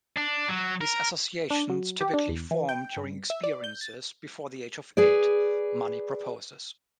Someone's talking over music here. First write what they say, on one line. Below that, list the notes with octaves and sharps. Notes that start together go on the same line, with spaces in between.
These associations typically form during experiences before the age of eight, Money proposes.
D4
F#3
A#4
D4
F#3
G4
D4
E2
E3
G5
G2
E5
D5
G6
A6
G#4 B4 D5